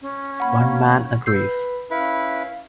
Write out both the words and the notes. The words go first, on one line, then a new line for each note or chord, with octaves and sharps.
One man agrees.
C#4
A#3 F#5 B5
B4 E6 G6 C7
C#4 E4 B4 F5